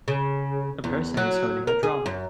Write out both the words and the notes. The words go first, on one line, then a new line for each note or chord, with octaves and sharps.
A person is holding a drum.
C#3
E2
F#3
A#4
G#4
F#2